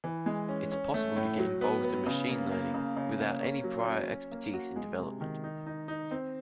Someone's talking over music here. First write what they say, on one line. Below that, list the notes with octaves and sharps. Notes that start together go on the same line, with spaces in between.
It's possible to get involved in machine learning without any prior expertise in development.
E3
G#3
C#4
C#4
A3
A2
F#3
B3
B3
C#3
A#3
A#3
C#3
C#3
A#3
C#4
F#3
C#4
C#4
A#3
F#4
G#3
C3
D#3
D#4
D#4
D#4
C4